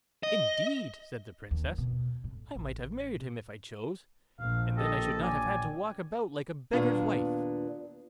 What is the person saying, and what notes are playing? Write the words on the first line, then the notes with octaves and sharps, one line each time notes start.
'Indeed!' said the Princess; 'I might have married him if I chose, and then I should not have had to walk about like a beggar's wife.'
D#5
D#2
B2
A2
A1
A#1 F5
G4 A4 D#5
G4 C#5 D5 G#5
D#2 A#2 B3 D4